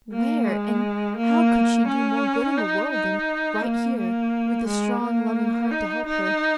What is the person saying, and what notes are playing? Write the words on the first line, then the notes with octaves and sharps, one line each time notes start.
Where, and how could she do more good in the world than right here with this strong, loving heart to help her?...
A#3
G#3
A#3
C#4
D#4
D#4
A#3
A#3
G#3
A#3
D#4
D#4